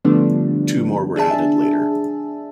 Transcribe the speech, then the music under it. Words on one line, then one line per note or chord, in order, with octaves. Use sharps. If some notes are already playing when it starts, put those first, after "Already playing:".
Two more were added later.
D3 F3 G3 A3 B3 D4
D4 G#4 E5 A5